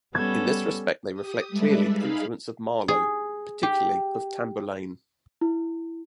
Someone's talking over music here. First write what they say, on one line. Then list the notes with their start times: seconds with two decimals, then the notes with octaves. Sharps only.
In this respect, they reflect clearly the influence of Marlowe, particularly of "Tamburlaine".
0.15 G3 B3 C#4 A4 G#6
1.13 G4 D#6
1.49 G3 G#3 A4 B4 D5 E5
1.89 D#4 G#4 F5 B5
2.88 G#4
3.63 G4
5.41 E4